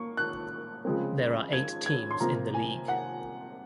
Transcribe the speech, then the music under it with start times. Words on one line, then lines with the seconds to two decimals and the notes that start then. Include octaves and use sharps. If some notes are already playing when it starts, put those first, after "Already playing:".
There are eight teams in the league.
Already playing: A#3 C#6
0.17 F#6
0.85 C#3 F3 G#3 C4
1.53 G#6
1.86 G#6
2.11 C6
2.20 C3 F3 A#3 A#5
2.54 G#5
2.88 F#5